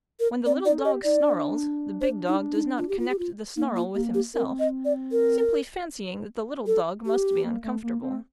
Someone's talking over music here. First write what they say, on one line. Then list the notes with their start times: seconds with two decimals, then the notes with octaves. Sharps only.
When the little dog snarls, the big dog does not connect the snarl with himself, simply fancying that the little dog must be uncomfortable.
0.20 A#4
0.46 C4 D5
0.65 D#4 D5
0.78 A4
0.85 G4 D#5
1.04 D#4 D5
1.23 D4
2.01 C5
2.27 D#4
2.53 D#4
2.78 F4
2.89 G4
2.99 F4
3.09 G4
3.18 F4
3.56 A#3 D#4
3.76 F4
3.95 A#3 G4
4.14 G4
4.34 C4 A#4
4.59 D#5
4.85 D5
5.12 A#4
6.67 A4
7.06 G4
7.44 A#3
7.64 A3
7.83 A#3
8.02 C4